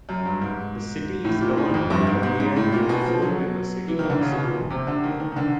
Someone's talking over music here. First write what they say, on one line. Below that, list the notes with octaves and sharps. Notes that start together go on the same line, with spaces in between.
The city is governed by a mayor and a four-member City Council.
F#2
G2
G#2
A2
A#2
A2
F2
G2
G#2
G#2
G#2
A2
A#2
B2
F3
F#3
E3
D#3
D3
C#3
B2
A#2
C3
D3
D#3
D#3
D#3
D3